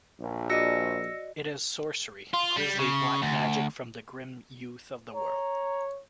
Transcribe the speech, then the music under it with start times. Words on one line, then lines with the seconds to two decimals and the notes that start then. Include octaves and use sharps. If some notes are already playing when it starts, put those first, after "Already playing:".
It is sorcery - grisly black magic from the grim youth of the world.
0.20 A#1
0.50 F#4 D5 D#5 E6 A#6 C#7
2.34 F4
2.57 G3
2.79 C#3
3.22 D2
5.14 C#5 A#5